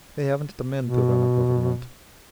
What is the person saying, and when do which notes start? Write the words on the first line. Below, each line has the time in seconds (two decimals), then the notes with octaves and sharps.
They haven't the men to run a government.
0.82 B2